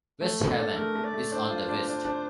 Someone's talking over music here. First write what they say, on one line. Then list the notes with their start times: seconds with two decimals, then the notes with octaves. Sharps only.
West Haven is on the west.
0.21 A3
0.40 A3
0.49 A4
0.58 D4
0.76 A3 A#4
0.95 A3
1.04 D5
1.14 A3
1.32 D4 C5
1.50 F4
1.69 D4
1.87 D4
2.05 D4